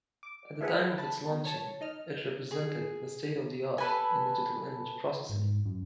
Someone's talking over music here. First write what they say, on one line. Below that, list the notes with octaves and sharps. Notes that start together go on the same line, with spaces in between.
At the time of its launching, it represented the state-of-the-art in digital image processing.
D6
A3 F4 G#4 B4 E5 F#5
A5 B5
B2
C#5 A5
D#4 D#5 F6
G#4
A4 B4 G#5
G#2
F#2